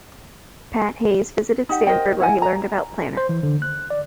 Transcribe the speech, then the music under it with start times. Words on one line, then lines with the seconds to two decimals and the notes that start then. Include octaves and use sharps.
Pat Hayes visited Stanford where he learned about Planner.
1.69 D#4 G4 F#5
1.87 A#4 C5 D#5 G5
2.20 E4 F#5 G#5
2.42 A#5
3.17 C5
3.29 E3
3.43 D3
3.62 F#6
3.90 D5